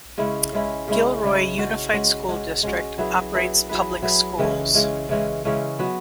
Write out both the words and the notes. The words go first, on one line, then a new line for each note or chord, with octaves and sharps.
Gilroy Unified School District operates public schools.
C#3 G#3 C#4 E4
C#3 G#3 C#4 E4
C#3 G#3 C#4 E4
C#3 G#3 C#4 E4
G#3 C#4 F#4
G#3 C#4 F#4
G#3 C#4 F#4
G#3 C#4 F#4
F#3 E4 G#4 B4
F#3 E4 G#4 B4
F#3 E4 G#4 B4
F#3 E4 G#4 B4
C#3 E3 G#3 C#4
C#3 E3 G#3 C#4
C#3 E3 G#3 C#4
C#3 E3 G#3 C#4
F#3 B3 F#4